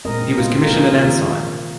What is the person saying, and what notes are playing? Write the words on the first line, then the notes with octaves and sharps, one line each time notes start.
He was commissioned an ensign.
A#2 G#3 C4 A#4 D#5
D#4
A#2 G#3 C4 F4
C5
A#4
C3 F3 A#3 G#4
F4 A#4
D#3 A#3